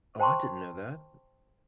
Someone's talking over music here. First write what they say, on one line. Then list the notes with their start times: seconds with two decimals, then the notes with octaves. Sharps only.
Oh, I didn't know that.
0.20 C5 G5 A5 A#5 C6 C#6